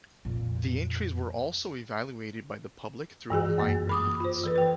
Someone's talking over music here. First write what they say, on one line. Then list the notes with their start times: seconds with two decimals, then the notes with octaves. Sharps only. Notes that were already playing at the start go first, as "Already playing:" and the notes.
The entries were also evaluated by the public through online ratings.
0.25 F2 A#2
3.30 G2 E3 F#4 G#4
3.58 F#2 A#3
3.89 B5 D6 D#6
4.20 F4 C5
4.44 E3 A4 B4
4.56 B4 G5